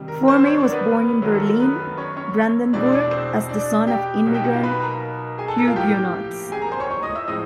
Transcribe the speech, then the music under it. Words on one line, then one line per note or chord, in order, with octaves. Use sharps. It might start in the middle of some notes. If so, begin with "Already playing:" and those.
Formey was born in Berlin, Brandenburg, as the son of immigrant Huguenots.
Already playing: C3 D#3 G3
A#4
C4 C5
C#4 C#5
D4 D5
A#4
B3 B4
F#2 D#3 F#3 A3 A#4
A4
A#4
B3 B4
C#4 C#5
C#4 C#5
E2 B2 G#3 C4 D4 E4 D5
D4 D5
C4 C5
D4 D5
G4 G5
B2 F#3 A#3 D#4
G4 G5
F#4 F#5
F4 F5
B4 B5
A#4 A#5
G#4 G#5
A4 A5
A#4 A#5
F4 F5
A2 F3 A#3 G4 G5
G#4 G#5
A#4 A#5
C5 C6
C#5 C#6
C#5 C#6
D#5 D#6
E5 E6
A2 F3 G#3 C4 D#5 D#6